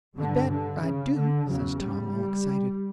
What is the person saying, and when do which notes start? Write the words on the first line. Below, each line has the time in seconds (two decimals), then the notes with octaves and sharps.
"You bet I do," says Tom, all excited.
0.16 G2 D3
0.50 D3
0.82 C#3
1.16 D3
1.48 E2 C#3 F#3
1.81 G3